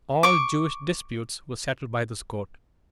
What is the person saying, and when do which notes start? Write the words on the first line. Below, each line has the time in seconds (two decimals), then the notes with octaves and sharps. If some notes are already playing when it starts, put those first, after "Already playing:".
All Jewish disputes were settled by this court.
0.23 C#6 D6